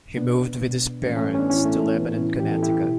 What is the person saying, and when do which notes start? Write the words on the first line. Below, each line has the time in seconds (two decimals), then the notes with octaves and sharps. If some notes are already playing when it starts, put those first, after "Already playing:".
He moved with his parents to Lebanon, Connecticut.
0.16 B2 B3 D4
0.61 B2
1.05 A2 A3 C#4
1.09 E3
1.17 A3 C#4
1.34 C#4
1.39 B3 D4
1.50 A2 E3 C#4 E4
1.65 A3
1.80 A3
1.94 A2 E3 B3
2.17 C#4 E4
2.39 A2 E3 G4
2.51 A4
2.63 E4 G4
2.83 B2